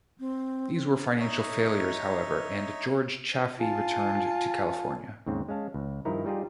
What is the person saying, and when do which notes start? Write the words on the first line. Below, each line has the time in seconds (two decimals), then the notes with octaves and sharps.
These were financial failures, however, and George Chaffey returned to California.
0.20 C4
1.19 D#4 C#5 D#5 E5
3.58 F4 G#5 A5
5.26 D#2 G#2 C#3 C4
5.48 G#3 C#4 F5 A5
5.74 C#2
6.05 G2 D#3 F3 D#4 E4 A#4
6.26 G3 D#4 F4 G4 G#4